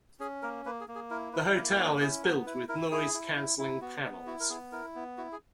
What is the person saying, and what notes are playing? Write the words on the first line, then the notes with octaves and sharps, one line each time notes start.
The hotel is built with noise canceling panels.
C#4 G#4
A#3 A#4
A#3 B4
G#4
A#3
G#4
E4 A#4
E4 B4
A#3 A#4
F#4
C#4
F#4
E4 G#4
B3 A#4
E4 B4
E4 A#4
E4 G#4
E4
E4
E4
B3 F#4
B3
E4 F#4
A#4
B3 G#4
E4 A#4
B3
E4 F#4
G#4